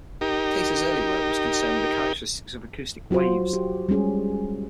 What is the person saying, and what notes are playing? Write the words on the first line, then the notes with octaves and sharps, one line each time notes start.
Kayser's early work was concerned with the characteristics of acoustic waves.
D#4 G4 A#4
F#3 F4 F#4 C5
G4
G3 G#3 C#4 G#4